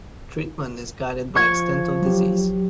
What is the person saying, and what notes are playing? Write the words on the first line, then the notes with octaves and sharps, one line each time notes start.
Treatment is guided by extent of disease.
F3 C#6 G#6
F#3 G4